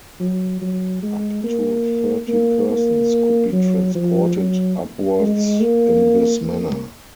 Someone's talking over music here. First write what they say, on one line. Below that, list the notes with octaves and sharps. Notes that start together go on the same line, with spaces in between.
Up to thirty persons could be transported upwards in this manner.
F#3
F#3
G#3
A#3
A#3
A#3
F#3
F3
F#3
G#3
A#3
A#3